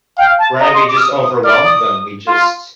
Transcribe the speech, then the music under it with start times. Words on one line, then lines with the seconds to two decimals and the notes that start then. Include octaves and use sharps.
Right, we just overwhelmed them, we just
0.18 F5 G5
0.39 A5
0.60 D#5 A#5
0.74 C6
0.89 D6
0.97 F6
1.02 D#6
1.23 D#6
1.44 D5 F6
1.65 D#6
2.27 F4